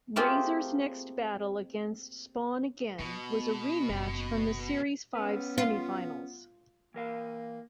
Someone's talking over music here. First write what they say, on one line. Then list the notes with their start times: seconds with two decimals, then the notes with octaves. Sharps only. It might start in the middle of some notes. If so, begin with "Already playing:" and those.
Razer's next battle against "Spawn Again" was a rematch from the series five semi-finals.
0.16 A3 A#3 C4 F4 G4 G#4
2.99 B2 B3
3.89 F#1
5.15 B3 C#4 B4
5.58 F4
6.94 E3 A#3 A#4 F5